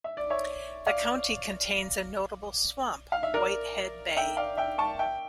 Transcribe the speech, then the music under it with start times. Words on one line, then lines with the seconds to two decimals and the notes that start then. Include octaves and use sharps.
The county contains a notable swamp, Whitehead Bay.
0.04 E5
0.17 D5
0.30 C#5 E5
0.86 D5 F5
3.12 F5
3.23 E5
3.34 A#4 D5
4.16 E5 G5
4.37 D5 F5
4.57 E5 G5
4.78 A5 C#6
4.99 E5 G5